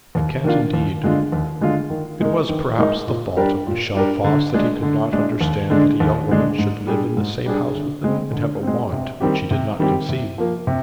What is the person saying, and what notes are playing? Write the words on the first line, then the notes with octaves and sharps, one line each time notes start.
I can't indeed.' It was perhaps the fault of Michel Voss that he could not understand that a young woman should live in the same house with him, and have a want which he did not conceive.
D#2
D#3 A#3 D4 F4
D#2
D3 G#3 D4 F4
D#2
D3 G#3 D4 F4
D#3
G#3 D#4 A#4
D#3
G#3 D#4 A#4
A#2
G3 D4 G4 A#4
A#2
G3 D4 G4 A#4
D3
G#3 D4
D3
G#3 D4
D#2
D3 G#3 D4
D#2
D3 G#3 D4
G#2
G3 D4 G#4
G#2
G3 D4 G#4
D3
G#3 C4
D3
G#3 C4
C3
D#3 G3 C4 G4
C3
D#3 G3 C4 G4
C3
F3 A#3
C3